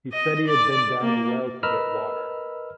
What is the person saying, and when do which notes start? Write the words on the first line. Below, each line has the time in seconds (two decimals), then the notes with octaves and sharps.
He said he had been down a well to get water.
0.13 D#5
0.47 D5
1.01 A#3
1.63 A#4 B4 D#5 B5 E6 F6